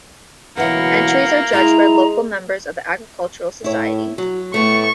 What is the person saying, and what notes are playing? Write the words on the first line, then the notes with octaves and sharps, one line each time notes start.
Entries are judged by local members of the Agricultural Society.
C#2 B2 E3 F#3 A#3 E4 B4 F#5
G#3 D#4 E4 A#5
A2 E4 C#5
F#3 F#4
A2 A3 B3 C#6